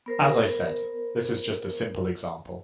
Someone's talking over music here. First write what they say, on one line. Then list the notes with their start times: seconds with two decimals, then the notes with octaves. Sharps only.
As I said, this is just a simple example.
0.06 B3 A#4 C5